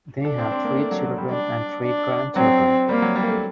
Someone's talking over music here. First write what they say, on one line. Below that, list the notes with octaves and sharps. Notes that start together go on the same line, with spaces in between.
They have three children and three grandchildren.
D4 A4
C4
C4
A#3
A3
F#3
F#3
G3
D4
D4
F#3 C4
G3 A#3
F#3
G3
A3